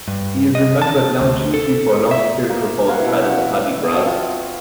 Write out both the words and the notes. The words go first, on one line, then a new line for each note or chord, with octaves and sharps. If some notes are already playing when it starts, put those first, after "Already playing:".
He is remembered now chiefly for a long satirical poem titled "Hudibras".
G2
D#5
A5
D2
A4
E5
A#3 D#5
C#5 F5 F#5
B2 E4
C4 F#4 C#5 A5
F4